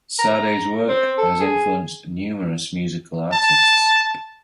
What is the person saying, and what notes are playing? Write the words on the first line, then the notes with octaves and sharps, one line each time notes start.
Sade's work has influenced numerous musical artists.
A#5
C4
A4
G#4
A5